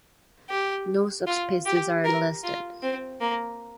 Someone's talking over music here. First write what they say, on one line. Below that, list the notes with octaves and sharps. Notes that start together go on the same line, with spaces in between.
No subspecies are listed.
G4
F4
G4
A#4
F4
C4
A#3